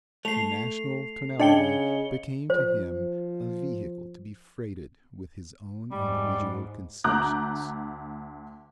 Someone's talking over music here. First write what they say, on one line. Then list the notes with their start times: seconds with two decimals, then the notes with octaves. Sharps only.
The national tonality became to him a vehicle to be freighted with his own individual conceptions.
0.25 A3 C7 F7
1.40 C#3 D4 D5 D#5 G5 C#7 G7
2.50 F3 C5
5.92 G#2 G3
7.04 D2 A#5 D6 F#6 G6